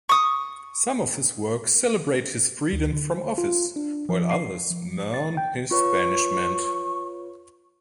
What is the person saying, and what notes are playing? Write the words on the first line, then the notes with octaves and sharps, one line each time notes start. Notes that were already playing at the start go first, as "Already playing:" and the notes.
Some of his works celebrate his freedom from office, while others mourn his banishment.
C#6 D#6
D2
D3
C5
F4
D4
F3
C7
F3
A6
G5
F4 B4 C#5 C#6